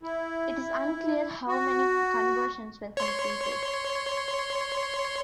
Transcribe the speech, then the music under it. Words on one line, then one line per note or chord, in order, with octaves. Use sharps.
It is unclear how many conversions were completed.
E4
F#4
C#5 C6